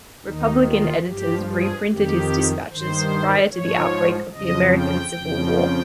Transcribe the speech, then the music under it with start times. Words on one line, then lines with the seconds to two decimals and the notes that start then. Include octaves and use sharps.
Republican editors reprinted his dispatches prior to the outbreak of the American Civil War.
0.24 D#2 D#3 D#4
0.65 F4
1.06 G2 F3 G4
1.47 G#4
1.87 F2 D#3 G4
2.69 G2 D#3 C5
3.51 G#2 F3 C#5
4.32 F2 C#3 F3 D#5
4.74 G5
5.15 F2 C#3 F3